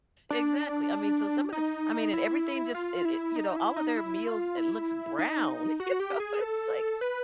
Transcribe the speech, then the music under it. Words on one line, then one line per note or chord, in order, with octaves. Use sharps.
Exactly, I mean, so some of the I mean, and everything just, it it you know, all of their meals, it looks brown, you know, it's like
D4
D#4
E4
F4
E4
D#4
E4
D#4
E4
F4
E4
D#4
F#4
F#4
G4
G#4
A4
B4